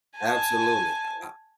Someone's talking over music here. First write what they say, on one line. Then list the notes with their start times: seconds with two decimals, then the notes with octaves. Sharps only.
Absolutely, I
0.17 G#5 A5